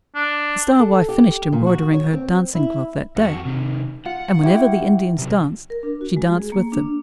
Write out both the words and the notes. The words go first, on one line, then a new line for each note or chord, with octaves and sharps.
The Star-wife finished embroidering her dancing-cloth that day; and whenever the Indians danced she danced with them.
D4
A4
G4
A#2
F#4
C#5
C4
E4
F2 F#4 F#5
C3 D#3
F4 F#5
C#4 E4 G4
C3 F#3
A#4
D4
F#4
G#3
G#4
A#3
D4